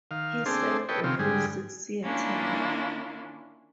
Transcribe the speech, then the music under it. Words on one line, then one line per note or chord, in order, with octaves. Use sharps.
He served a full six-year term.
D#3 F5
C4 D4 G#4 A4 C5
A4 B4 C#5 D#5 G5
C3 D#3 C4 C#4 F4
G#2 D3 G3 G#4
D#3 A#3 C#4 D4 E4 F4